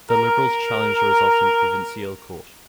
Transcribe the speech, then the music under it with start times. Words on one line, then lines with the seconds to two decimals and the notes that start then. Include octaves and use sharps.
The Liberals challenged the results in provincial court.
0.10 A#4